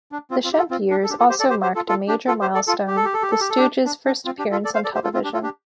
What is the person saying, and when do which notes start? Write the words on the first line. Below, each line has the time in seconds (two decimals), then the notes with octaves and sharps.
The Shemp years also marked a major milestone: the Stooges' first appearance on television.
0.12 D4
0.31 C4 F4
0.44 C4 F4
0.52 G4
0.57 F4 A4
0.71 C4 F4
0.90 D4
1.03 A4
1.10 D4 G4
1.19 F4 A4
1.29 G4 C5
1.39 A4 D5
1.50 G4 C5
1.62 G4 C5
1.75 F4 A4
1.88 F4 A4
2.08 D4 G4
2.28 F4 A4
2.41 G4 C5
2.55 A4 D5
2.67 F4 A4
2.87 G4
2.96 A4
3.05 G4
3.14 A4
3.22 G4
3.31 A4
3.41 G4
3.50 A4
3.58 D4 G4
3.86 D4
4.06 D4
4.25 C4 F4
4.39 D4 G4
4.51 F4 A4
4.65 A4 D5
4.74 C5 F5
4.84 A4 D5
4.94 G4 C5
5.04 F4 A4
5.14 C4 F4
5.24 D4 G4
5.33 F4 A4
5.43 D4 G4